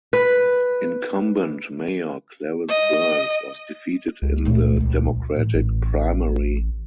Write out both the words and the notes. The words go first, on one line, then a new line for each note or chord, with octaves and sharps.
Incumbent mayor Clarence Burns was defeated in the Democratic primary.
B4
D#5
C#2
A#2 A3
A#1 D4
A2 E3
A1